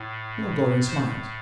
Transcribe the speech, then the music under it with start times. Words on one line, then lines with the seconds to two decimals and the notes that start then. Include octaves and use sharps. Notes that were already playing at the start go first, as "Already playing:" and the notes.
Lord Loring smiled.
Already playing: A2
0.88 C5